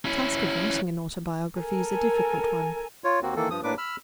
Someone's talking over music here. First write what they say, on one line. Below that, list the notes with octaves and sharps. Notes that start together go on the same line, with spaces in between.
The task of writing an autobiography is a difficult one.
C#4 E4
A4 A#4 G#5
F4 C#5
D#2 A#3 C4 F#4
D#3 E3 A#3 A4
G2 F3 D#6
A2 A#3 D4 B4 D6
B5 E6 F6